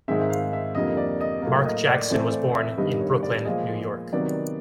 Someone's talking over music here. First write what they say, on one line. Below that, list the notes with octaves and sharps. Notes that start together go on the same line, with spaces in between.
Mark Jackson was born in Brooklyn, New York.
G#2 D#3 G#3 C4 E5
E5
F5
E5
F2 D3 G3 A#3 D#5
D5
D#5
A2 F#3 A#3
D#5
D5
A2 E3 A3 C4 D5
D5
E5
G2 D#3 G3 B3 D#5
C#5
D5
A#2 F3 G#3 D#5
C3 D#3 F#3 B3 D5